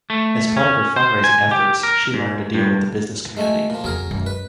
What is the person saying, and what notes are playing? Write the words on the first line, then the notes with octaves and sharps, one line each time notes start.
As part of her fundraising efforts, she learned to deal with the business community.
A3
C#4
C5
G#5
G4
A#4
G#2
G2
G#3 A3 G#5
A#2 F3
F2 C#3 F#3 G#4 A#4
F#2 G#3
B4